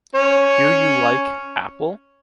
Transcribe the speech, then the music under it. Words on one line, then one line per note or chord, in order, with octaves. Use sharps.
Do you like apple?
C#4 C#5